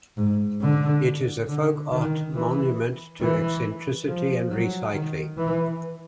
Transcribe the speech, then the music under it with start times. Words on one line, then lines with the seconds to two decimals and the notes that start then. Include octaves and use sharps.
It is a folk art monument to eccentricity and recycling.
0.17 G#2
0.61 D3
1.48 D3
1.92 D#3
2.34 E3
3.21 E3
4.08 F3
4.51 F#3
4.94 D#3
5.38 E3